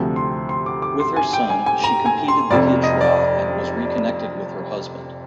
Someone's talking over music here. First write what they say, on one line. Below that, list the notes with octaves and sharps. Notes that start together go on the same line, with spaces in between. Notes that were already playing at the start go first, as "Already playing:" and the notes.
With her son, she competed the hijra and was reconnected with her husband.
Already playing: D2 C3 F3
C6
C6
D6
D6
C6
G#5
G5
G#5
G#5
A#5
G#5
C6
F1 F2 C3 D5
D#5
D5
D5